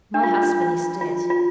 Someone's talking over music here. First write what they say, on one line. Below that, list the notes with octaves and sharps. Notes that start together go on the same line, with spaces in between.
'My husband is dead.
D4
F4
F4
D4
F4
F4
F4